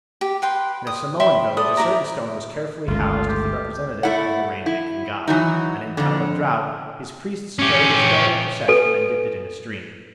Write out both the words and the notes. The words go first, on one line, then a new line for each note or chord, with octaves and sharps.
In a Samoan village a certain stone was carefully housed as the representative of the rain-making god, and in time of drought his priests carried the stone in procession and dipped it in a stream.
G4
B4 G5 C6
D#6
E5 G5 B5 C6
A4 D5 D#6
E4 A#4 D5 A#5
G1 C#2 A3 F4
G4
A3 E4 F#5
E4
E3 F#3 D#4
F2 D3
C#4 G4
A4 B4 G#5